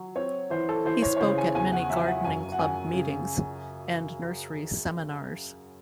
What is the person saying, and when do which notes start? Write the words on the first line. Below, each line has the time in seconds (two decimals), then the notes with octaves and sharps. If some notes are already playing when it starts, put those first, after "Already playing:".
He spoke at many gardening club meetings and nursery seminars.
Already playing: F#3
0.16 C4 C#5
0.50 E3 C5
0.69 A4
0.85 E3 C5
1.02 C#5
1.17 C#5
1.20 C#3 C5
1.38 G#5
1.55 E2 G#5
1.72 F#5
1.90 F#3 E5
2.06 F#5
2.24 F#2 G#5
2.52 F#5
2.59 F#2 G#5
2.93 C#3